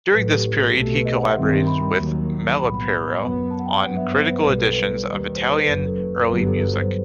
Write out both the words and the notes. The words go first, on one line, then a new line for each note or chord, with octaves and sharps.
During this period he collaborated with Malipiero on critical editions of Italian early music.
A1 A2 F#3 B4
A4
G4
B1 B2 A3 G4
A4
B4
D#5
F#5
E5
G2 D#3 G3 C4
B5
B5
D#2 D#3 F#3
B1 A2 G3 B3 B5
B5
F#2 F#3 B3
A5
F#5
G5
G2 F#3 B3 F#5
E5
C5
B4
B1 B2 G3 B3 B4
A4
B4
D#2 D#3 G3
C5
B4
A4
F#1 F#2 F#3 B4
A4
B4
G1 G2 F#3 B3 B4
G4
A4
B4
C5